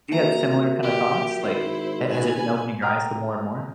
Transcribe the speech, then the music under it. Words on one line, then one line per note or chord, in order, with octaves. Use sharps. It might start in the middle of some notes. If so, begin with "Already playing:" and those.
Do you have similar kind of thoughts? Like, ha has it been opening your eyes to more and more?
A#2 F#4 A#4 E5 A#5
A#2 G4
G#1 E4 C5
B4 G#5
G5 A#5 D#6 F6